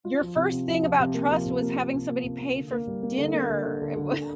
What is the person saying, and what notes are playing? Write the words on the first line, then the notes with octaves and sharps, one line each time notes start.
your first thing about trust was having somebody pay for f dinner. It was,
F4
F3
C3
C3
F3
F3
C3
A#3
F3
C3
A#3
A#3
C3
A#3
C3
A#3
D3
A#3
G3
A#3
D3
A#3
D3
D3
D3
D3
D3